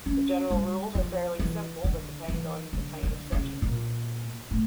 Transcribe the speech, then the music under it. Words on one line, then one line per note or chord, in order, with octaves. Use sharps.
The general rules are fairly simple, but depend on the kind of session.
C#4
G3
F3
E3
D3
E3
D3
D3
C#3
A#2
A2